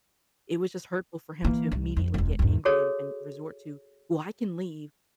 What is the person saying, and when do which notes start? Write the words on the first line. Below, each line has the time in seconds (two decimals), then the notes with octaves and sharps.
it was just hurtful for him to immediately get angry and and resort to, "Well, I can leave."
1.44 E3 A#3
1.72 C2
1.97 F2
2.14 E1 C#2
2.39 E2 G#2
2.65 F#4 G#4 A4 C#5